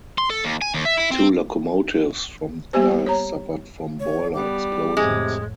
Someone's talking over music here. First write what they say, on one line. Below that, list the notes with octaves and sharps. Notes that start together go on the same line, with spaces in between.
Two locomotives from the class suffered from boiler explosions.
C6
A4
D#2
G#5
D#2
E5
E4
C4
G3 A#3 B3 G4 C5
C#5 A#5
C#5
G3 B3 D6
F2 A2 C3 G#3